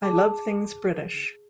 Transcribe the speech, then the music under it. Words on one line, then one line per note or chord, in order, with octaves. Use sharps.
I love things British.
G#4 A5 D6